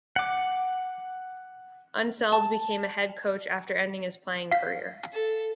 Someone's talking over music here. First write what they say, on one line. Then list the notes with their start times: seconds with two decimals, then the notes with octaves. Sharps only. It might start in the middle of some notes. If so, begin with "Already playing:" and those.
Unseld became a head coach after ending his playing career.
0.16 F#5 D6
2.32 A5
4.52 F5 B6
5.12 A4